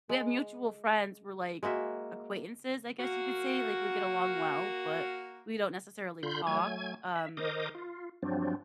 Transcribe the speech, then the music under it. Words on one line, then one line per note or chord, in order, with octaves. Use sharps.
we have mutual friends, we're, like, acquaintances, I guess you could say, like we get along well, but we don't necessarily talk, um,
G#3
G#3 A#3 F#4 E5
A#3 F#4
D3 F4 B5 C6 G6
F#3 A3 G#5 G#6
E5
D#3 A#4 C5 D#5 D6 D#6
F4
G2 F3 F#3 C4 D4